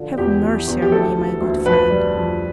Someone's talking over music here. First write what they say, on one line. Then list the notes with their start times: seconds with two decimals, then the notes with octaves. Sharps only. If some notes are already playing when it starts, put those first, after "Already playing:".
Have mercy on me, my good friend.
Already playing: D3 F3
0.18 E2 G4
0.42 E3
0.67 E2
0.82 G4
0.92 D2 A4
1.17 E3
1.41 D2
1.66 F2 B4
1.90 G3
2.15 F2